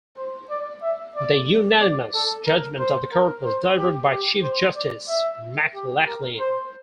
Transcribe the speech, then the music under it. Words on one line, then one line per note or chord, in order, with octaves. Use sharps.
The unanimous judgment of the Court was delivered by Chief Justice McLachlin.
C5
D5
E5
D5
D5
A4
A#4
C5
A#4
C5
G4
G4
C5
D5
E5
G4
A#4
C5